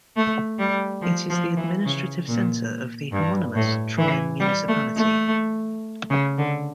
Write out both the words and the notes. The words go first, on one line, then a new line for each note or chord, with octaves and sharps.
It is the administrative centre of the homonymous Troyan Municipality.
A3
G3
F3
F3
E3
C#3
A#2
G2
A2
E3
G3
A3
A3
C#3
D3